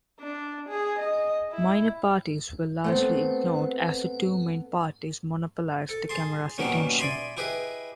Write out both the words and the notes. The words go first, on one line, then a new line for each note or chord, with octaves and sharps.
Minor parties were largely ignored as the two main parties monopolized the camera's attention.
D4
G#4
D#5
E4
A3 B3 C4
A4
G#4 A5 C6
D#3 F#3 G3 A#3 B3 C#4
D5 E5 G#5 B5 C6 D#6
E4 G4 G#4 B4 D#5